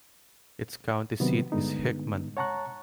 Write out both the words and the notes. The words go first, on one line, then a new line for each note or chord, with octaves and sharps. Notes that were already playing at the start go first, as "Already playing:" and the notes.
Its county seat is Hickman.
C3 D#3 F#3 B3
G2 D3 G#3 B3 D#4
C#5 F#5 A5 A#5 C#6 F#6